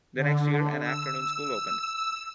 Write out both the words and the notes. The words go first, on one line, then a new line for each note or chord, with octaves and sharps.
The next year, an afternoon school opened.
D3
E6